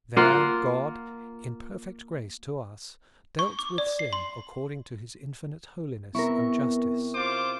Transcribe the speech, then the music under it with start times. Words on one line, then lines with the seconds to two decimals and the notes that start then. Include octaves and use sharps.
There God, in perfect grace to us, dealt with sin according to his infinite holiness and justice.
0.17 A#3 F4 F#5
3.39 C#6
3.59 D6
3.78 D5
3.99 C7
4.13 C6
6.15 C3 B3 E4 A#4 C#6
7.15 F4 C5 D6